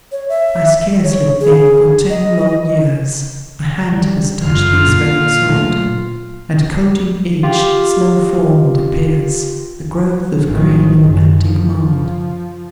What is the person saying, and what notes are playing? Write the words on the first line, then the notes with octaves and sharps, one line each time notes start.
I scarcely think, for ten long years, A hand has touched these relics old; And, coating each, slow-formed, appears The growth of green and antique mould.
C#5
E5
C#5
G#4
D#5
G3
F#1 F2 F4 F5
A#2 A#3
A#2 F#3 A3
F4 G4
A1 D#3
F#1
F3